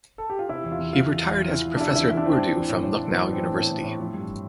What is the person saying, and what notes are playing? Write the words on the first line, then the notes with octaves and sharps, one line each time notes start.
He retired as professor of Urdu from Lucknow University.
A4
G4
F4
C3 E4
E2
F4
E2
E2 F4
E2
E2
E3
E3
E2
D4
C3 E4
E2 E4
E2 E4
D4
E3 C4
D4
E3
E3
A2
A2
A2
E3 B3
A2
C4
E3
A2
A2
A2
F3
G2